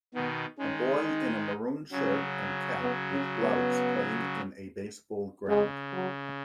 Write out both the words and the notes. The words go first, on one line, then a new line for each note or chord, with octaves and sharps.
A boy in a maroon shirt and cap with gloves playing in a baseball ground.
B2 D#3 B3
D#3 G#3 C#4
D#4
C#3 F#3 C#4
B3
C#4
B3
C#3 G#3
F#3